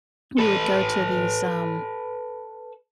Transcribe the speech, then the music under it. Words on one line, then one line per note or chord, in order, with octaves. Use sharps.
we would go to these, um
A4 B4